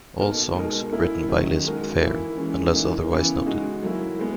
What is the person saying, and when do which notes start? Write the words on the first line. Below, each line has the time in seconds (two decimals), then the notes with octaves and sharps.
All songs written by Liz Phair unless otherwise noted.
0.18 B2 A#3 D#4 A#4
0.54 B2 G#3 D#4 A#4
0.92 A#3 E4 A#4
1.28 D#3 F#3 C#4
1.64 G#3 D#4 F#4 A#4
2.00 E3 A#3 E4
2.37 E3 G#3 C#4
2.73 E3 A#3 D#4
3.11 C#3 E3 B3
3.46 G#3 D#4 F#4
3.82 F#3 A#3 E4
4.19 G#3 B3